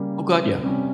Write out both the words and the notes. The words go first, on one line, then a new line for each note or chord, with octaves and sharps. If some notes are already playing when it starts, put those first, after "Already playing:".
Oh, god, yeah.
Already playing: C#3 G3 A#3
C3 G3 C#4